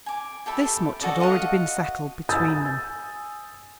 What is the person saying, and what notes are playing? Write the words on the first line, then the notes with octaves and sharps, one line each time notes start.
This much had already been settled between them.
G#5 D6
G4 A4 E5 B5
F#4 A4 D5 D#5
F#4 D#5 F5 F#5
G#5 D#6 E6 G6 A6